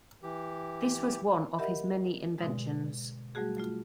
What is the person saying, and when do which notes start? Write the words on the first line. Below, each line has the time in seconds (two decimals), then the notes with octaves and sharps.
This was one of his many inventions.
0.23 E3 G4
1.59 G4 A#4 D#5 E5 F#5 B5
2.38 G#2 B2 D3 G#3
3.35 F#3 G3 A3 F#4 G#4
3.57 F#3 A3 F4